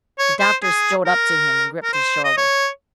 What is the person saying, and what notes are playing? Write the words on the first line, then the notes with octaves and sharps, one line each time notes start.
The doctor strode up to him and gripped his shoulder.
C#5
C5
G#4
A#4
A#4
C5
D#5
C#5